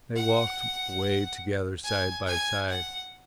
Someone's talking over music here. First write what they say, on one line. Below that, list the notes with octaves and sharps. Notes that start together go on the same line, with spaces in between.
They walked away together, side by side.
F#5
G#5
G#5
F#5